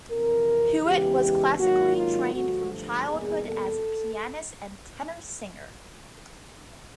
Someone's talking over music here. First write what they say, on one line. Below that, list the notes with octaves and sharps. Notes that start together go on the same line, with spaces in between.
Hewitt was classically trained from childhood as a pianist and tenor singer.
F2 C3 E3 A#4
E2 C#3 E3 G#3 G4
G#2 D#3 F#3 A#3 F#4
F4
G2 D3 F3 A3 F#4
E2 B2 G3 A#3 G#4
A4